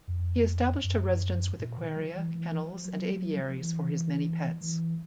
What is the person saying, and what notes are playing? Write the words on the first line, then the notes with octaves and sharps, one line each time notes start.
He established a residence with aquaria, kennels, and aviaries for his many pets.
F2
F#2
A#2
D#3
F3
E3
E3
F3
F#3
F#3
F3
E3
E3